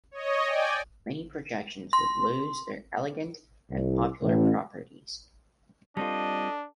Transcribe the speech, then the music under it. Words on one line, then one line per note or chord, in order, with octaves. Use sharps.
Many projections would lose their elegant and popular properties.
C#5 D#5
D5 G5 G#5
C6
C2
A1
G3 C4 D4 F4 A4 D#5 A5